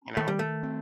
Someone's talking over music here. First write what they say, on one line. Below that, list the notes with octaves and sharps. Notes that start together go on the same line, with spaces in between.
You know?
D#3 A3
G3
A3
C4